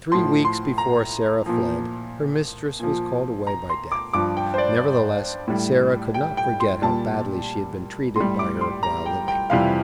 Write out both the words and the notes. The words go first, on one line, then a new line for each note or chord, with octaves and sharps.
Three weeks before Sarah fled, her mistress was called away by death; nevertheless Sarah could not forget how badly she had been treated by her while living.
A2 F3 C6
C6
A#5
A#2 F3
A#2 F3
A#5
C6
D6
G2 F3 D6
G5
C5
D5
A2 G3
G5
G5
C6
A#2 G3 A5
A2 G3 C6
D6
C6
A#5
G5
G5
F2 C3 E3 G3 F5